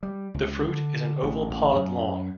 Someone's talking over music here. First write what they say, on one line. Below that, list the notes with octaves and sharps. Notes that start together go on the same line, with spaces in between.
The fruit is an oval pod long.
G3
C#2
D3
A1
A1
F#2